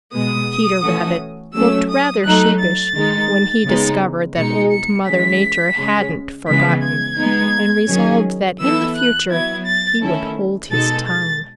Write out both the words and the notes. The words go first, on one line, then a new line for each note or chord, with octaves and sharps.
Peter Rabbit looked rather sheepish when he discovered that Old Mother Nature hadn't for gotten, and resolved that in the future he would hold his tongue.
B2 G#3 B3 D#6
E3 A3 C#4 F#4 A4
F#3 A3 C#4 E6
D#6
F#3 A3 D#4 F#6
A6
D#3 G#3 D#4
C#3 G#3 B3 D#4
B2 G#3 D#4 C#7
C#7
E3 G#3 C#4 B6
C#3 G#3 C#4
C#3 E3 G#3 B3 B6
G#6
G#3 B3 D#4
D#3 F#3 C#4 G#4
E3 B3 E4 A4 E6
F#6
F#3 B3 E4 G#6
A6
D#3 A3 C#4 E4 A4
B2 G#3 D#4 A4 A6
A6